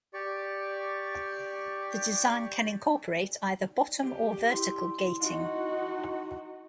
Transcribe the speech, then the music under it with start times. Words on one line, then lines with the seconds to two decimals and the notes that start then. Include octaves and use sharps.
The design can incorporate either bottom or vertical gating.
0.14 G4 D5 C#6
4.03 G4
4.48 E4 C6
5.20 D#4 F#4